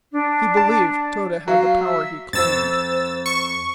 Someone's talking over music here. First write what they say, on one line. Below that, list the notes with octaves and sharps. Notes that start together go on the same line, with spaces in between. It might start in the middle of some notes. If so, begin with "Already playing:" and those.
He believed Tode had the power he claimed.
D4
A5
F#3 F5
E5 E6
F2 C5 E6 A6
C#6